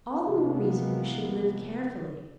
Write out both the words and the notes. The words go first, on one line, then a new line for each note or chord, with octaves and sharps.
'All the more reason you should live carefully.
C3 E3 F3 G#3 A#3 B3